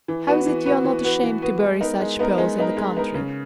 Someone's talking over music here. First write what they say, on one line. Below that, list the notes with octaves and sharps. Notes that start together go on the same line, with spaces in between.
"How is it you're not ashamed to bury such pearls in the country?"
E3
B3 F#4 B4
E3
B3 F#4 B4
E3
B3 F#4 B4
E3
B3 F#4 B4
G#3
B3 D#4 A#4
G#3
B3 D#4 A#4
G#3
B3 D#4 A#4
G#3
B3 D#4 A#4
C#3